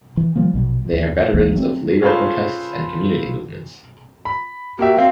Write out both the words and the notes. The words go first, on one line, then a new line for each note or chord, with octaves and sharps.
They are veterans of labour protests and community movements.
E3
D#3 F3 G3 A#3
A#1 B2 F#3
D#2
G#1 D2 E3 A#3
F#3 A3 C4
C#4 F4 G#4 A4 B4 C5
B5
A#3 F#4 G4 E5
F#3 C4 F5